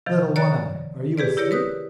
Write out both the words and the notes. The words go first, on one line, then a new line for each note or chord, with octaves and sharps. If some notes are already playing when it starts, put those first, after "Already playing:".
Little One-eye, are you asleep?'
C3 D#3 F3
C#5 D5 A#5 F#6 A6
G4 G#4 B4 D5
E4 G4 A#4 C#5 D5
A#4 B4 D#6 F#6